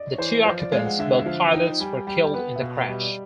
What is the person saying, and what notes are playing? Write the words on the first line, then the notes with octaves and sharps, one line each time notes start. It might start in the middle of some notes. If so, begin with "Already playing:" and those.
The two occupants, both pilots, were killed in the crash.
Already playing: D5 D#5
C#5
E3 C5
F3 C5
D5
G#3 F5
F#5
D3 E5
E5
F3 F5
D#4 G5
G3 G#5
G3 G5
G5
B3 F#5
E5
B2 F5
E5
G3 D#5
D5